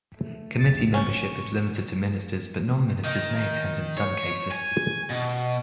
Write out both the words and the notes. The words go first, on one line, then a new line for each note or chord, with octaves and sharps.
Committee membership is limited to ministers, but non-ministers may attend in some cases.
A3
A#1 E2 A6
A2 C#4 C#6
D#3
C#5
G#5
B2